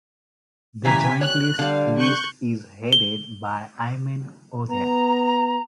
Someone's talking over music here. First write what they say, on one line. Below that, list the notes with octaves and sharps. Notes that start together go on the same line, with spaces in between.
The Joint List list is headed by Ayman Odeh.
C#3 E3 G4 G#5 A#5 B6
C#5 F#6
D3 G3 F5
C#6 F#6 G6
G7
B3 A#5